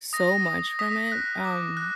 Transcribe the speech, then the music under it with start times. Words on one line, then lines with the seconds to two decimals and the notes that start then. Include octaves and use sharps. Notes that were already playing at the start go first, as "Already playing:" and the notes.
so much from it, um,
0.13 D#6 A#6
0.46 D#6
0.79 D#6 B6
1.12 F#6
1.45 D6
1.77 F#6